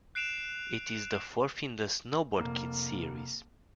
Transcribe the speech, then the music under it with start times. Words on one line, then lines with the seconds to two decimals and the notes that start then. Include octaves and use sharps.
It is the fourth in the "Snowboard Kids" series.
0.15 F#6 C7 D7 E7 F7
2.37 F1 A#3